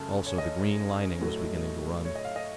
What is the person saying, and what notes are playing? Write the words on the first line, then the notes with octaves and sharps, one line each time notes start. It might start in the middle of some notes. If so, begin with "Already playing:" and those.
Also the green lining was beginning to run.
Already playing: F#2 C#3 A3 A5
C#5
D#5
A2 F#3 A3
C#5
D#5
F5
D#5